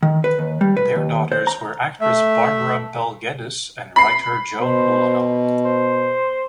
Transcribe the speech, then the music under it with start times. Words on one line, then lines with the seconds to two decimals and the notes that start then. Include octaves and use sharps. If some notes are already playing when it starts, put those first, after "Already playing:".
Their daughters were actress Barbara Bel Geddes and writer Joan Ulanov.
0.03 D#3
0.24 B4
0.39 D#2
0.61 G3
0.77 B4
0.96 D#2
1.32 C5
1.47 A#5
2.01 A3 E5
3.96 B5 C7
4.61 B2 C5
5.65 C5